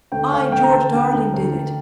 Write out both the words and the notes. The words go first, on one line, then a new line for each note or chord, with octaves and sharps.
I, George Darling, did it.
D2 G5
D2 F5
D2 G5
A#5
D2 A5
D2 G5
D2
D2
D2